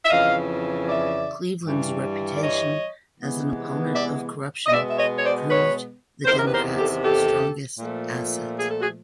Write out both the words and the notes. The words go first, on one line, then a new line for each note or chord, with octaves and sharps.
Cleveland's reputation as an opponent of corruption proved the Democrats' strongest asset.
E5
F2 C#3 E3 D#5 F5
D5 E5
G2 E3 G3
D5
C#5 D#5
C3 E3 G#3 B3
D5 E5
D#5
B2 G#3 B3 D5 E5
E5
C#5 D#5
C#5
C5 D5
B4 C#5
E2 C3 D#3 A#4 C5
A#4
B4
A#4 C5
G4 A4
G4 A4
A#2 F3 A3
G#4
A4
F#4 G#4